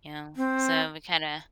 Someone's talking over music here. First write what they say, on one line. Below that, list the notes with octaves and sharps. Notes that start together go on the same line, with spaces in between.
You know? So we, kinda,
C4